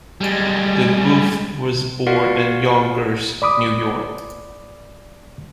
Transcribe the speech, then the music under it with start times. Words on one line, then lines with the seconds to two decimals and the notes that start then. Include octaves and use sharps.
LeBouef was born in Yonkers, New York.
0.21 G3 G#3
2.07 F4 F#4 A#4 D5 F5 F#5
3.42 D5 B5 D6 D#6